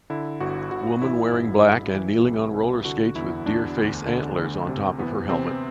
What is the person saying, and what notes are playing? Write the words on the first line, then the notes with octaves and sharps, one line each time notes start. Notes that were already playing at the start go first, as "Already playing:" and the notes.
Woman wearing black and kneeling on rollerskates with deer face antlers on top of her helmet.
D3 E4
G1 F#4
G1 F#4
A1 E4
G2
G2
E3
C2
C2
D3 F#4
E2 E4
E2 D4
D2
D3
D2
C3
E3 B3
C3 C4